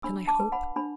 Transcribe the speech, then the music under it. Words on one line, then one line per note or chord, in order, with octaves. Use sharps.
Can I hope?
D4 B5 E6
A5 D6
B4
F#5 B5
D4 B5